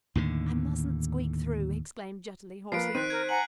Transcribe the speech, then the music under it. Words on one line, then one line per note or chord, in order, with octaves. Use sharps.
"I mustn't squeak through," exclaimed Jutterly, hoarsely.
D#2 A2 D3
F3 A#3 B4 C7 D7
D#3 C4 C5 F#6 B6 D#7
A#4 G#6 D#7
F#5 G#5 A#5 F#7